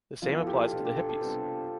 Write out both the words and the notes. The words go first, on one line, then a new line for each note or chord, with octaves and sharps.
The same applies to the hippies.
F3 B3 E4 F4
A4
G4
B2 B3 D4 F4
G4
A4
A4
C3 G3 B3 D4 C5